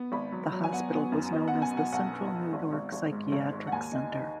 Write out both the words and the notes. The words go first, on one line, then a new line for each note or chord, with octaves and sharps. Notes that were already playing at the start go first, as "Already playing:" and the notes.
The hospital was known as the Central New York Psychiatric Center.
Already playing: B3
G#1 B5
F#3
F#3
G#5
B3 F#5
B3
F#2
B3 D#5
B2 F#5
G#5
B2 F#5
B1 F#5
B3
B2
G#1
G#1
G#1
G#2
G#1
G#2
F#5
D#2 G#5
D#4
D#4